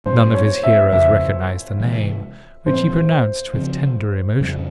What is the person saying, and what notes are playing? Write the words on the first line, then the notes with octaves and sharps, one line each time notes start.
None of his hearers recognised the name,, which he pronounced with tender emotion.
G#2 G3 C#4 C5
C#5
E5
F2 C#3 F3 E5
C3 E3 G#3
A#2 F3 C4 C5
C#3 F3 C4
F2 C#3 G3 C#4